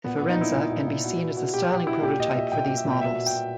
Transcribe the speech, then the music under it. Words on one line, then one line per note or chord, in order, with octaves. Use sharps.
The Firenza can be seen as a styling prototype for these models.
A#2 B3
B3
A#2
D#4
A#2 E4
A#2
A#2
A#2
B2
B2
B2
B2 G4
B2 G4
B2 E4
A#2 G4
A#2 D#5
A#2 E5
A#2 G5
G5
A#2
E5
A#2
G5
B2 E5
B2
G5
B2